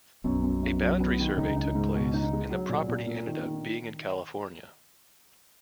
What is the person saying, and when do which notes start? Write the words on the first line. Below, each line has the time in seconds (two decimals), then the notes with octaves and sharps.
A boundary survey took place, and the property ended up being in California.
0.24 B1 F#2 B2
0.43 F#2
0.63 F#2
0.82 F#3
1.00 B3
1.19 D#3
1.37 C#2 C#3 D#4
1.56 D#4
1.75 G#2
1.94 B2
2.14 D#4
2.33 G#3
2.50 F#3
2.69 A#2
2.88 A#2
3.07 A#3
3.27 D#3
3.45 D#3